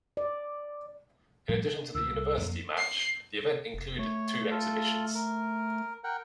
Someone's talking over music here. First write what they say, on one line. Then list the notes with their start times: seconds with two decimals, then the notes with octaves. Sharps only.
In addition to the university match the event included two exhibitions.
0.17 D5
1.49 A2 F3 G3
1.65 D4
1.94 D2 B2 E6
2.11 C2
2.42 F2 A#3
2.77 C7
3.74 F1
3.99 A3 C#5
4.51 F4 A4
5.15 A#4
6.04 A#4 F#5 G5